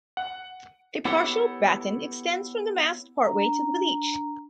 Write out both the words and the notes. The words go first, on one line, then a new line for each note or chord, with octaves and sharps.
A partial batten extends from the mast partway to the leech.
F#5
B3 E4 G4 A4 C#5 F#5
D4 A#5